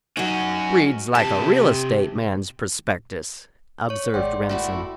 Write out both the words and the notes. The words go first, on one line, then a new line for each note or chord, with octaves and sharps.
"Reads like a real-estate man's prospectus," observed Remsen.
F#3 C#4 D#4 F#4
C3 G4 A5
C#5 C#6
G#1 G#3 D5 F#5 G5 C6 D6
A3 E4 F#4